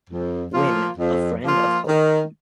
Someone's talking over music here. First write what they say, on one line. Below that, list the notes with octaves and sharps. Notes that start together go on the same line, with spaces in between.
Wynne, a friend of Hoke.
F2
F3 A#3 F4
F2
F3 A#3 F4
D#3